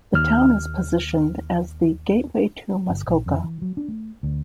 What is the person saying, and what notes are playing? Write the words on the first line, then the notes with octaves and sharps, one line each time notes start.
The town is positioned as the "Gateway to Muskoka".
D#2 F6
G1
A#1
F2
E3
F#3
D4
A3
D2